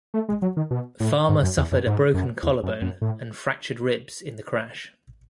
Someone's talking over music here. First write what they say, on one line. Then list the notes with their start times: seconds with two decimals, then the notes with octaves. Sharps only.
Farmer suffered a broken collarbone and fractured ribs in the crash.
0.14 A3
0.29 G#3
0.42 F#3
0.57 D#3
0.71 B2
1.00 A2
1.29 G#2
1.43 F#2
1.57 E2
1.72 F#2
1.87 G#2
2.14 F#2
2.43 E2
2.63 F#2
2.82 F#2
3.02 A2